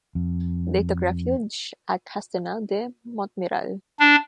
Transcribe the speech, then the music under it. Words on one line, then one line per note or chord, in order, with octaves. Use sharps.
They took refuge at Castelnau-de-Montmiral.
F2
D4